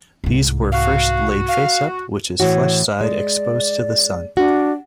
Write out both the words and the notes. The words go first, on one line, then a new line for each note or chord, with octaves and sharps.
These were first laid face-up, which is flesh side exposed to the sun.
C2 G#2
F#4 F5
F5
A2 E3 F#4 C#5
G#3 D5
D4 F#4